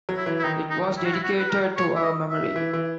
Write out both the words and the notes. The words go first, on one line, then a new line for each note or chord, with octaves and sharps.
It was dedicated to her memory.
F#3
E4
E3
E4
D#3 D#4
D#4
E4
F#4
E4
F#4
B4
A#4
C#5
E5
D#5
E5
E3
E3